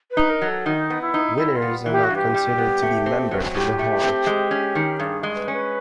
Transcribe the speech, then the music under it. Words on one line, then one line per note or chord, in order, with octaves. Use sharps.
Winners are not considered to be members of the Hall.
B4
D#4
A#4
F#3
A4
D#3 D#4
B3
E4
D#4
G3 E4
F4
B3
E3
G4
F#4
G2
G4
G3
B3
A3
C4
F#3
A2 G4
A3
C4
G#3
C#4
D#3
G2 G#4
G#3
B4
C#4
B4